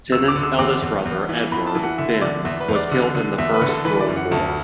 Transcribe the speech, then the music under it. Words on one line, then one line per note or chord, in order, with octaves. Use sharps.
Tennant's eldest brother Edward - "Bim" - was killed in the First World War.
D2 E6
D6
D3
E6
E2 D6
E2
E2
E3
E2 B5
A5
E3
F#5
D3 E5
D3 D5
E2 E5
B4
E2
D5
D3
D3
E2 E5
B4
D3
A4
E3 B4
D5
F#2
F#5
D2 A5